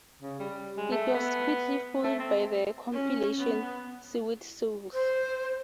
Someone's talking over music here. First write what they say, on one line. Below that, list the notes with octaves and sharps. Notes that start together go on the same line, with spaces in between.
It was quickly followed by the compilation "Sewed Soles".
C#3
G3
G#3
A3
B3
A3
C4
C#4
B3
C5